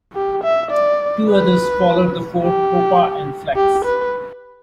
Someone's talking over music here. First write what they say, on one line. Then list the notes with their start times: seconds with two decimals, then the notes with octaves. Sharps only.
Two others followed the four, Poppa and Flex.
0.15 G4
0.44 E5
0.71 D5
1.29 B4
2.43 G4
3.56 G4
3.85 B4